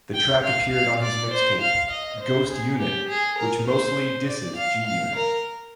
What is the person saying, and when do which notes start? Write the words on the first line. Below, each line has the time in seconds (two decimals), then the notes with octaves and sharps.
The track appeared on his mixtape "Ghost Unit", which mostly disses G-Unit.
0.14 G5
0.43 F5
0.73 F5
1.02 D5
1.32 C5
1.62 F5
1.91 D#5
2.21 C5
2.50 G#4
2.80 G4
3.09 G#4
3.39 A#4
3.68 C5
4.28 D5
4.57 F5
4.87 F5
5.16 A#4